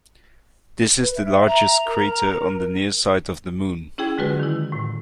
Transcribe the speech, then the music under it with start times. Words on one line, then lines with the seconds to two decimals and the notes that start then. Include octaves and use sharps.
This is the largest crater on the near side of the Moon.
1.00 B4
1.15 E5
1.48 A#5
1.86 A#4
3.98 C#4 E4 G#4 G5 G#6
4.18 D3 F#3 G#3 F4 F#4 B4
4.40 D#3 E4
4.72 A2